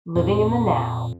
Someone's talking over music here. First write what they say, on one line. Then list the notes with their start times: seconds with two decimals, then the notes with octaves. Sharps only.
Living in the now.
0.16 F2 A#2